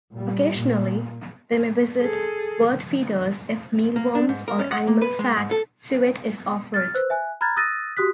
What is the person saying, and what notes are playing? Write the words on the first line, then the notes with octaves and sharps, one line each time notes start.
Occasionally, they may visit bird feeders if mealworms or animal-fat suet is offered.
A#2 G3
A#2
G#4 A4
A#3
D4
G#2
A#4
C#4
F#5
A#3
B4
G#3
G#2
A4
F6 A6
B4 C5 E6 F#6
E5 G#5 F#6
A#5 B5 F6 F#6 G#6 A6
D#6 E6 F#6 A6 A#6 D#7
F#4 G4 D#6 F#6 B6